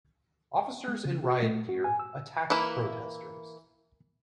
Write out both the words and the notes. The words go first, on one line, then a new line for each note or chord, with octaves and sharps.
Officers in riot gear attacked protesters.
G#3
C#3
F#4
A3
F#4
G#5
E6
E3 A#3 E4